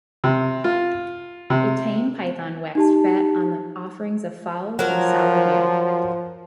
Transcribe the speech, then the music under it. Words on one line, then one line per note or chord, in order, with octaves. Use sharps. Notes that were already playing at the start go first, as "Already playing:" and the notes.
A tame python waxed fat on the offerings of fowls and sour beer.
C3
F4
C3
D#4 G4 A5
F3 F#3 A#4